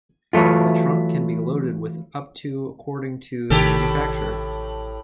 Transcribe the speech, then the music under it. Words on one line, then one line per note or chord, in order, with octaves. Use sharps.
The trunk can be loaded with up to according to the manufacturer.
E3 F#3 A3 F4
A1 A2 C3 D#3 G4 A4